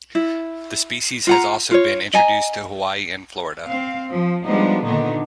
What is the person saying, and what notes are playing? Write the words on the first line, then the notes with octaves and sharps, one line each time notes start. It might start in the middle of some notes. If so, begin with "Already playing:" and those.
The species has also been introduced to Hawaii and Florida.
E4
F4 F#5 A#5
F4 C#5
D#5 G#5 A#5
C4 F5
F3
F3 G3 G#3 B3 D4 D#4
A#2 D3 D#3 B3 D4 D#4